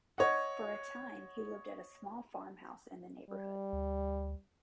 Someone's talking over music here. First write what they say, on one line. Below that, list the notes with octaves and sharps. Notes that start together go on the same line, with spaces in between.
For a time he lived at a small farmhouse in the neighbourhood.
C#5 D#5 F#5
G3
D2